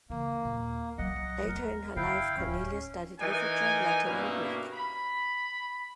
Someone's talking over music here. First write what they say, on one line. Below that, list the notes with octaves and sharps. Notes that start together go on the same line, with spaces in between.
Later in her life, Cornelia studied literature, Latin, and Greek.
C#3 E3 A#3
D#2 A#2
C2 F#3 D#5 F#5
D#2 B3 A#4
F#2 D3 E4 F5 G5
D1 D#2 C#4
E3 D#4 A#4 G#5
G2 B2 A#3 B3 C#4 E4
B5